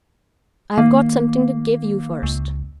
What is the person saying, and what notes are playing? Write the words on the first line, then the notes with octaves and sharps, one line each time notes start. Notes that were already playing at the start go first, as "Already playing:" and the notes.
I've got something to give you first.
D#3 A#3
C#2